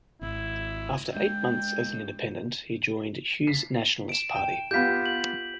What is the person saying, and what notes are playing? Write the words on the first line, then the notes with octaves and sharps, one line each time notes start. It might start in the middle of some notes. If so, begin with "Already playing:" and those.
After eight months as an independent, he joined Hughes' Nationalist Party.
G#1 E4
G#3 D4 G5
B6 C7
D7 E7
G5
B3 F4 G4 G6 B6
F#7